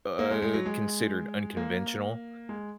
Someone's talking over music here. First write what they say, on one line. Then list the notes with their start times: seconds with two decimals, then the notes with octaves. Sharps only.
uh, considered unconventional.
0.19 A#3
0.31 G#3
0.42 G#3
0.54 F#3
0.66 G#3
1.57 A#3
2.49 G#3